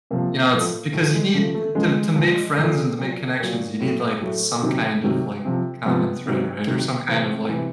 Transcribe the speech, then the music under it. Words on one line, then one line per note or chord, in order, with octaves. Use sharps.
you know, it's because you need to to make friends and to make connections, you need, like, some kind of, like, common thread, right, or some kind of, like
C3 F3 A#3
A2 F3
A2 F3 A3
G#3
C#3 F3 A3
A3
C#3 F3 G#3
A#2 F3
A#2 F3 A3
A#2 F#3
A#2 F#3 A#3
A2 F#3
A2 F#3 A3
C3 D#3 F#3
C3 D#3 F#3
C3 F3
C3 F3 B3
C3 D#3 F#3
C3 D#3 F#3
C3 E3 C4
C3 E3